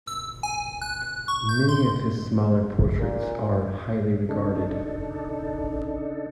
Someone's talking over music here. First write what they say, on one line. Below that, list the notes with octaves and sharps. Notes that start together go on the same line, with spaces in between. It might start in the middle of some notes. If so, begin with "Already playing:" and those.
Many of his smaller portraits are highly regarded.
E6
G#5
F#6
C#6
G6
C6
A#2
C#3 D4 D#4 A4